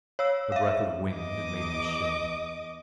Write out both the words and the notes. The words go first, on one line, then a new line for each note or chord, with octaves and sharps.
A breath of wind made him shiver.
C#5 F5 E6
E5 F5
E2 D#5 D6 D#6